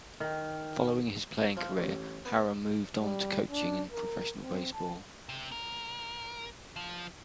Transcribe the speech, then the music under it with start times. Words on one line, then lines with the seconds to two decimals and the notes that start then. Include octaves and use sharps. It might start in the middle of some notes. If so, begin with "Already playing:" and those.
Following his playing career, Harrah moved on to coaching in professional baseball.
0.20 D#3 G5 F6
1.57 F3
1.78 A1
2.25 B3
3.01 G3
3.51 D4
3.92 A#4
4.39 C4
4.73 A5
5.29 C3
5.52 A#4
6.76 F3